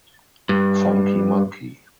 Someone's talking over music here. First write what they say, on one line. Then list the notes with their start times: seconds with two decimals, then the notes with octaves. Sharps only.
Funky monkey.
0.49 G2